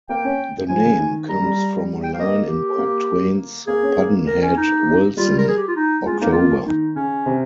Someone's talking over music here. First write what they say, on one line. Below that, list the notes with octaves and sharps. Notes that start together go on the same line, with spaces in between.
The name comes from a line in Mark Twain's Pudd'nhead Wilson: October.
A#3 G5
C#4
F3 G#5
C#3
D#3
G3 A#5
G3
G5
F5
A#3 D#5
G4
A#3
A#3 G#4
C#4
A#3
A#4
C#4
D#4
G3 F4
A#4
G#4
G4
F4
D#4
G#3 F4
A#3 D#4
F4
D#3 D#4
C#3 C#4
C3